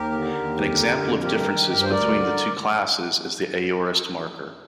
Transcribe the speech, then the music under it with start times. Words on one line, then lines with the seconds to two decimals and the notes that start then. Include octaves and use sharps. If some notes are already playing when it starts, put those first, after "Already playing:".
An example of differences between the two classes is the aorist-marker.
Already playing: D#2 G4 A#4
0.12 D3
0.34 D#2
0.57 F2
0.79 D3
1.01 F2
1.24 G2 G4 A#4
1.47 D#3
1.69 G2
1.82 C5
1.91 D2 A#4 D5
2.13 D3